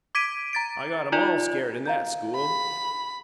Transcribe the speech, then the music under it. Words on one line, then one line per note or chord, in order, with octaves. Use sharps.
"I got 'em ALL scared in THAT school."
D6 G#6 B6 D7 D#7
A#5 A6 D7
D#4 F4 D5
F5 A#5 G6
B5